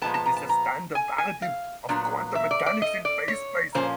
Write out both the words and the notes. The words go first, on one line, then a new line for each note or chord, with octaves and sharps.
It is the standard paradigm of quantum mechanics in phase space.
A#2 F3 G#3 B3 A5
A5
A#5
A5
A#5
G#5
G#5
F5
A#2 F#3 B3 D4
E5
D5
D5
D#5
D5
C#5
A#2 F3 A#3 C#4 C5